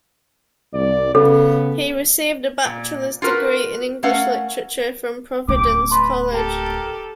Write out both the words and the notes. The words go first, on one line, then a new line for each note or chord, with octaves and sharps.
He received a bachelor's degree in English Literature from Providence College.
C2 D5
C#3 B3 A4
A#2
F4 F#4 A#4 B4
A3 C#4 A#4 F5 F#5
D1 C#4 G4 D6
B4 A5 C6
G4 A4 A#4 G5 A5